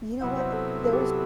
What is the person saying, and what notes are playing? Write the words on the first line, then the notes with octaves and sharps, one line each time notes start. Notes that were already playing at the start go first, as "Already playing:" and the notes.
You know, what, there's
C3 F#3 B3 E4 F#5
C5
A4
A4
G4
A4